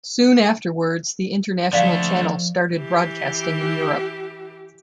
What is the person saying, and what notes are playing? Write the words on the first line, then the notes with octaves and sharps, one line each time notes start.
Soon afterwards, the international channel started broadcasting in Europe.
D3 F3 A3 D5 F5
E3 G4